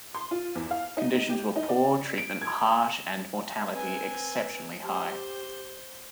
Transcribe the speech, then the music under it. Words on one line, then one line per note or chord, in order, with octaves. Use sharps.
Conditions were poor, treatment harsh, and mortality exceptionally high.
C6
F4
E2
F5
D#4
G4
D#4
D5
D7
G#6
A5
C4 B4 G#5
G4 C5